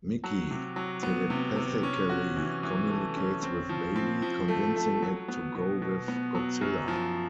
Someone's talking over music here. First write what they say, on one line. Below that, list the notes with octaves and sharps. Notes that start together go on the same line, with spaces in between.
Miki telepathically communicates with Baby, convincing it to go with Godzilla.
F#3
C3
F#3
B3
C3
C3
C#4
F#4
E3
E3
A3
C#4
C4
F3
C4
F3
A3
A3
F#3
B3
B2
B2
B3
F#3
F#2
F3